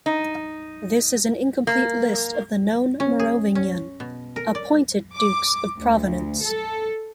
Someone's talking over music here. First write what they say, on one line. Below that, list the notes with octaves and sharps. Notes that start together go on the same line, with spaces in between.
This is an incomplete list of the known Merovingian-appointed dukes of Provence.
D#4
A#3
C#4
G#4
C#4
B2
A#4
D5
D6
D2
A4